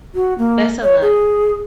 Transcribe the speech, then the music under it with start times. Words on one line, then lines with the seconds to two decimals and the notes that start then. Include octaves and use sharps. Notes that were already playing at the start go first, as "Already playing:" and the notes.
That's a lot.
0.15 F#4
0.38 A#3
0.83 C#5
1.02 G#4